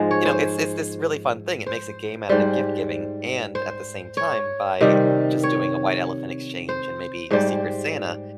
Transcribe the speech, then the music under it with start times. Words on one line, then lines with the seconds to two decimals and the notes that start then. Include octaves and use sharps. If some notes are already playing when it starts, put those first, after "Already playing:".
you know, it's it's this really fun thing. It makes a game out of the gift giving and at the same time, by just doing a white elephant exchange and maybe a Secret Santa,
Already playing: G#2 F3 G#3
0.11 C#5
0.25 C5
1.66 C5
2.29 G#2 G3 C5
3.55 C5
4.17 C#5
4.81 C3 D#3 G3
5.43 C#5
6.69 C5
7.31 G#2 G3 C5